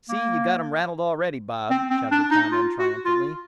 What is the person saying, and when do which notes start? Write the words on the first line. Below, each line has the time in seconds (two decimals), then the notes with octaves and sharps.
"See, you've got him rattled already, Bob," shouted a cowman triumphantly.
0.09 A#3
1.70 C4
1.90 C4
2.12 D4
2.31 D#4
2.52 F4
2.79 F#4
3.05 F4